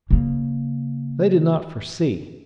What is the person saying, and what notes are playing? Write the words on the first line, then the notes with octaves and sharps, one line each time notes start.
They did not foresee....
C#3 A#3